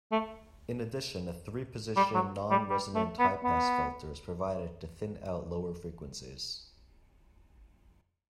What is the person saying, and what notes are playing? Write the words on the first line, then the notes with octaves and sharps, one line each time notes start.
In addition, a three-position non-resonant highpass filter is provided to thin out lower frequencies.
A3
G3
F#3
G3
G3
A3
B3
B3